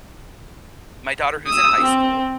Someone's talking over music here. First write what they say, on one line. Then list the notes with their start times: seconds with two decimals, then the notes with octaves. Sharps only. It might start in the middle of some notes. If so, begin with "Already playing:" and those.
my daughter who's in high school
1.47 D#6 E6
1.81 C4